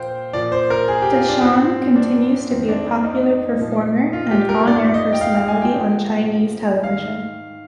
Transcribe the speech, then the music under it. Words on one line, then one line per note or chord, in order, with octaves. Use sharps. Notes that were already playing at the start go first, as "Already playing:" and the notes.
Dashan continues to be a popular performer and on-air personality on Chinese television.
Already playing: A#2 F3 C5 F5 G5
A#2 F3 D5
C5
A#4
G#4
G4
F4
D4
G#2 F3 C4
D4
F2 D#3 C4
D4
D#4
A#2 F3
F4
G4
A#4
G#2 F3 D5
D#5
G5
F5
F5
G#5
G5
G2 D3 F3
G#2 D#3 F5